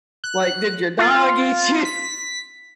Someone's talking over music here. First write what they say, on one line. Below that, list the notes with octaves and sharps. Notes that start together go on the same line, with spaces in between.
Like, "Did your dog eat you?"
F#6
F4
B6